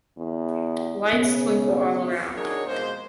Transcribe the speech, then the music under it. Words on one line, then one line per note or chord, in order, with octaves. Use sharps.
Lights twinkle all around.
E2
C#3 B3
D4 D#4 F#4 G#4 A#4 C#5
F2 B2 G#3 A#3 C5